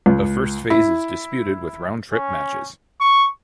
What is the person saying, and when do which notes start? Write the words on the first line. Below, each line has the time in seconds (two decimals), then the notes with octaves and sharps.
A First Phase is disputed with round trip matches.
0.06 C#2
0.70 E4
2.13 C#4
3.01 C#6